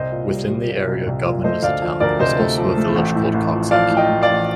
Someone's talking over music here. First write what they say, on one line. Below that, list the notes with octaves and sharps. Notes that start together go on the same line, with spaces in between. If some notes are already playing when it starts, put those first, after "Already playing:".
Within the area governed as a town, there is also a village called Coxsackie.
Already playing: C2 C5 D#5
A#2
G3
G3
A#2
C2
C2
A#2
A3 C5 D#5
D2 D5 F5
F3
D2 A#4 D5
C3 C5 D#5
A3
F3
A3
A1
A2
A1
F3
F3 D5 F5
A2
D#5 G5
A2
D5 F5
A1